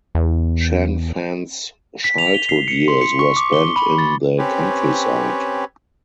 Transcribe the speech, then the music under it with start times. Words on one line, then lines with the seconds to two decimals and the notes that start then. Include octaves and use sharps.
Shen Fan’s childhood years were spent in the countryside.
0.15 E2
2.04 B6
2.18 F7
2.34 G7
2.49 C7
2.68 C#7
2.88 C6
3.01 C#7
3.19 C#6
3.36 D6
3.53 G7
3.76 B5
3.98 A6
4.38 C4 C#4 G4 B4 C#5